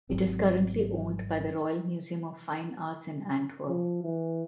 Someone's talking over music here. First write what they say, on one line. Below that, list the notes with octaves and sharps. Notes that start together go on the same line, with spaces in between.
It is currently owned by the Royal Museum of Fine Arts in Antwerp.
G#1 F#3 C4
F3
E3